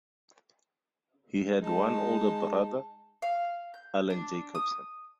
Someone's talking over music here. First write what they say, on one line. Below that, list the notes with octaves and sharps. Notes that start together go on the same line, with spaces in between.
He had one older brother, Allen Jacobson.
G#3 D#4 A5
F5
G6
D4
D#6